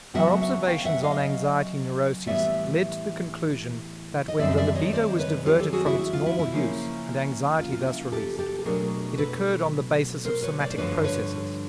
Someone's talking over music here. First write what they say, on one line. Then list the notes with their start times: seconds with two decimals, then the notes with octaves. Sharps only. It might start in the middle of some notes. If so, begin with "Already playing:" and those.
Our observations on anxiety neuroses led to the conclusion that when the libido was diverted from its normal use and anxiety thus released, it occurred on the basis of somatic processes.
0.15 C#3 F#3 B3 E5 F#5
0.41 E5 F#5
0.68 F5 G5
0.85 E5 F#5
1.03 D#5 F5
2.27 A2 E3 G3 B3 D5 E5
4.28 D#5
4.39 F#2 D#3 G3 C4 D5 E5
4.51 D#5
4.57 D5 E5
4.68 E5
4.75 C#5 D#5
4.93 C5 D5
5.19 B4 C#5
5.46 F4 G4
5.59 G4 A4
5.73 F#4 G#4
5.86 E4 F#4
5.99 E4
6.13 F4
6.26 E4
6.39 E4
6.52 C#3 F3 A#3 C#4
7.59 F4
7.73 F4
7.85 E4
7.99 F4
8.12 G4 A4
8.39 G4 A4
8.59 A4
8.65 B2 F#3 A3 D4 G#4 A#4
9.18 A4 B4
10.25 A#4 C5
10.43 B4 C#5
10.60 C5 D5
10.71 C5
10.77 G2 D3 F3 A#3 D4 B4 C#5
11.04 B4 C#5